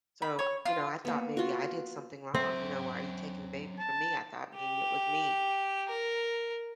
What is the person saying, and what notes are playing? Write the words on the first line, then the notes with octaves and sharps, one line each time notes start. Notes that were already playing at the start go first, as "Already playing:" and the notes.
So, you know, I thought maybe I did something wrong. You know, "Why are you taking the baby from me?" I thought maybe it was me.
B5
C#5
F4
A#3 B3
F4 F#4
F#3 C4 E5
A5
G4
A#4